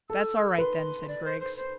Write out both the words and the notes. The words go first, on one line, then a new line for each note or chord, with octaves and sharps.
"That's all right, then," said Griggs.
A4 E6
B4 C6
D5
C5
C5
C5